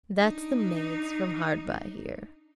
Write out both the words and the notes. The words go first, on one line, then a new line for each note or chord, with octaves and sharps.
"That's the maids from hard by here."
D4 D#4